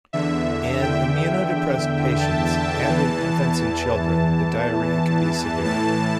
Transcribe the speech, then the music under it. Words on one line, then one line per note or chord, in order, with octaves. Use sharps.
In immunodepressed patients, and in infants and children, the diarrhea can be severe.
E2 D3 E5
G5
A5
E2 E3 A5
A2 E3 A5